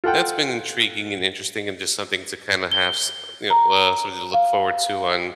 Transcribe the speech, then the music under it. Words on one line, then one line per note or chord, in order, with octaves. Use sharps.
that's been intriguing, and interesting, and just something to kinda have s you know, uh, something to look forward to on
F4 A4 F#5 G5
G7
A#5
F5